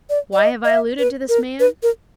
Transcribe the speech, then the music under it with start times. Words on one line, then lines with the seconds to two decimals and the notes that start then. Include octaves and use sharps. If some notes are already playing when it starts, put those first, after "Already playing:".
Why have I alluded to this man?
0.10 D5
0.33 D5
0.39 D#5
0.65 D#5
0.70 E5
0.99 B4
1.29 A#4
1.60 B4
1.83 A#4